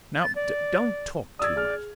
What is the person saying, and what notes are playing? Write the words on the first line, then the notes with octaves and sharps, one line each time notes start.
Now don't talk too much.
A6
D5
D5 D#6 E6 G#6
G#4 F6